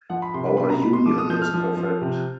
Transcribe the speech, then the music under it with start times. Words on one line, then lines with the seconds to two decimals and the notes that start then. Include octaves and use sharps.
Our union is perfect.
0.10 F3 F#5
0.22 B5
0.34 C3 C6
0.46 B5
0.57 B2 B5
0.70 A#5
0.82 B2 B5
0.93 C6
1.06 F3 D6
1.18 D#6
1.29 F3 G6
1.42 F6
1.54 F3
1.77 F3
2.01 C3